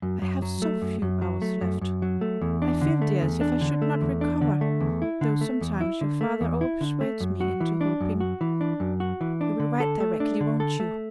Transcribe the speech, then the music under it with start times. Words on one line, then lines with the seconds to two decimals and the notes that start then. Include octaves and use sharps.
I have so few hours left--I feel, dear, as if I should not recover, though sometimes your father over-persuades me into hoping; you will write directly, won't you?
0.02 F#2
0.22 F#2
0.42 F#3
0.62 A3
0.82 F#2
1.02 F#2
1.22 F#3
1.42 A3
1.61 F#2
1.81 F#2
2.02 F#3
2.21 A3
2.41 E2
2.62 D4
2.81 D3
3.02 A3
3.21 E2
3.41 D4
3.61 D3
3.82 A3
4.01 E2
4.21 D4
4.41 D3
4.61 A3
4.81 E2
5.02 E4
5.21 D3
5.41 A3
5.61 E2
5.81 E4
6.01 D3
6.21 A3
6.41 E2
6.61 E4
6.81 D3
7.01 A3
7.20 F#2
7.41 F#4
7.60 E3
7.81 D4
8.01 F#2
8.20 F#4
8.41 E3
8.61 D4
8.80 F#2
9.00 F#4
9.21 E3
9.41 D4
9.60 D3
9.80 A4
10.00 A3
10.20 D4
10.41 D3
10.60 A4
10.80 A3